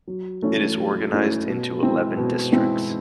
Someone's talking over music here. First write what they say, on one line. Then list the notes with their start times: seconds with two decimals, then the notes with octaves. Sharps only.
It is organized into eleven districts.
0.07 F#3
0.42 A3 C#4 E4
0.78 F#3
1.13 A3 C#4 E4
1.47 B2
1.82 G#3 C4 E4
2.17 B2
2.52 G#3 C4 E4